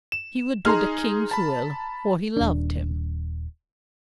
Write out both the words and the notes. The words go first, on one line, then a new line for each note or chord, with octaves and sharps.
He would do the King's will, for he loved him.
E7
D#4 G#4 A#5 C6 F6
A5 B5
D#1 D4